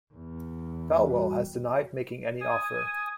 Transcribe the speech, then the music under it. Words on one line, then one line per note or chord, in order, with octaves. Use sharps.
Falwell has denied making any offer.
E2
G3 F#4
G#5 D#6